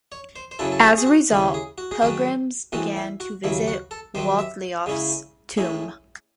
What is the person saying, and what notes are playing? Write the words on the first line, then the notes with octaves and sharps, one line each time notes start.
As a result, pilgrims began to visit Waltheof's tomb.
C#5
C5
C5
F#2 C#3 F#3 C#4 E4 A4
A4
G#4
G#4
F#4
D#2 C#3 G#3 C#4 E4
G#4
F#4
G#4
G#2 D#3 F#3 C#4 F#4
A2 E3 G#3 C4 F#4
E4
F#4
D#2 C#3 F#3 E4
F#4
A4
C3 D#3 F#3 C4 C5
E5
C#3 G#3 C#4 E4
A2 G#3 C#4 E4